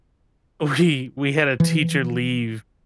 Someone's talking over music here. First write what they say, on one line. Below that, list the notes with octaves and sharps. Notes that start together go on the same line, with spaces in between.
We we had a teacher leave,
E3 F3